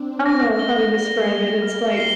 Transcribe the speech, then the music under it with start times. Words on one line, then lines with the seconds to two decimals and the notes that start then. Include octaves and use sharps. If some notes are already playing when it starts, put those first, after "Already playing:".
I don't know how to describe it, it's like
Already playing: C4 D4
0.25 A#3 A#6
0.59 G3 G7
0.94 A#6
1.27 G7
1.62 F6
1.97 C7 G7